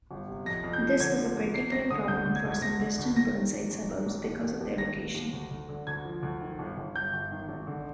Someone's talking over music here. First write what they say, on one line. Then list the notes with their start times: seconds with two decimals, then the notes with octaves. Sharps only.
This was a particular problem for some western Burnside suburbs because of their location.
0.11 G1
0.29 C3
0.45 F2 A#6
0.64 F2
0.73 G6
0.82 F3
1.00 D3 G#6
1.18 F3
1.37 G#1
1.54 G#1 C7
1.72 G#1 A#6
1.90 D3 D#6
2.08 D2 G6
2.26 D3
2.36 G#6
2.44 D2
2.52 G#6
2.62 D2 A#6
2.80 D3
2.99 D2
3.16 D#3 A#6
3.34 D#3
3.53 G#1
3.71 G#1
3.89 G#2
4.06 G#1
4.24 D#2
4.43 D#2
4.60 D#2
4.78 D#3 A#6
4.96 D#2
5.15 D#2
5.33 D2
5.51 D2
5.69 D3
5.87 D2 G#6
6.05 F3
6.23 D2
6.42 D#3
6.59 G1
6.77 G1
6.95 G1 G6
7.14 G1
7.32 D#3
7.49 G#1
7.67 D3